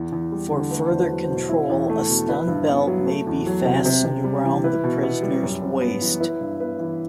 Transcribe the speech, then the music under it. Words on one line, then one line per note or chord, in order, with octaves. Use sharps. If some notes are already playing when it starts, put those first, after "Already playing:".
For further control, a stun belt may be fastened around the prisoner's waist.
Already playing: E2
E2
G3
D3
A3 B4
E2 C5
B4
F#3
C5
B2
E4
E2
A3
B2
E4 B4
G2
B3
F#3
A3
E2
F#3
C3
C3
C3
G3
E3
E4 B4
B2
B3
G3
F#2
F#2
B3
E3
E4 B4
G2
B3 B4
E3